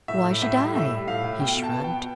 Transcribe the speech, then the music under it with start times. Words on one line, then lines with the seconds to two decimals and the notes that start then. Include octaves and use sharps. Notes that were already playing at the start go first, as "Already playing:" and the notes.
"Why should I?" he shrugged.
0.08 A2 E5
0.24 A2
0.42 A2 E5
0.58 G3
0.75 A2 E5
0.91 G3
1.07 A2 F5
1.24 A2
1.40 B2 G5
1.57 B2
1.63 A5
1.74 B3
1.84 G5
1.90 B2